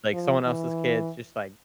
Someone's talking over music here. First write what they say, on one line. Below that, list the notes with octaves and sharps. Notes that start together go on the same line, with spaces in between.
like, someone else's kids just, like,
F3
E3